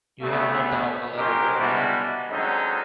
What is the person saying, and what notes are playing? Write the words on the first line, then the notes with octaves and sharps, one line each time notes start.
You have, no doubt, a letter written by her?
D2 A3 B3
F#3 C#4 D#4 G4 A#4 C5
G3 G#3 B3 D4 E4 F#4
D3 F#3 G#3 C4 C#4 D#4